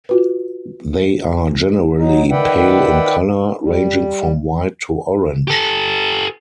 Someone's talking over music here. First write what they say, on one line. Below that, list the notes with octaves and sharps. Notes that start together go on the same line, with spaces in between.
They are generally pale in colour, ranging from white to orange.
F4 F#4 B4
F#3 D#4
D#3 B4 D5 E5 F#5 G5
G3
G4 A4